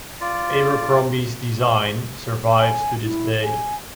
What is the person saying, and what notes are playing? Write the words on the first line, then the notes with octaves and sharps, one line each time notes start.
Abercrombies design survives to this day.
F4 D5
G#5
E4
G#5